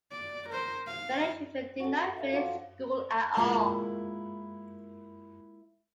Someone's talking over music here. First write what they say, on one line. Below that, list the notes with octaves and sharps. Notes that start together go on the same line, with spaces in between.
Many children did not finish school at all.
D5
A#4 C5
F5
F#4 A4
E5 F5 A5
F3 F#3 F4 D6
G#3 A#3 E4 F4 A#4